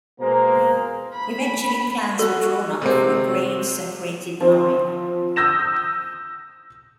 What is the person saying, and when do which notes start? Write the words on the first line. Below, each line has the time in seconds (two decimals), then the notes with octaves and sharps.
Eventually plans were drawn up for a grade-separated line.
0.19 B2 G#3 A#3 C5 A#5
1.14 B5
2.19 F#4 A4
2.82 C3 G#3 C4
4.41 F3 C4
5.36 D#6 E6 G6 A#6 E7